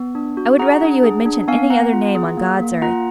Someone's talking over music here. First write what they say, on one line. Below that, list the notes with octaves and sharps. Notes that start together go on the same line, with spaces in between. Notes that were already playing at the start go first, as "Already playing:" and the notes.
'I would rather you had mentioned any other name on God's earth.
Already playing: B3
D4
F#4
G#4 F#5 A#5
D4
G#4
D4
B3 F5 G#5
B3 F#5 A#5
F4
G#4
A#3
A#3
F4 F#5 A#5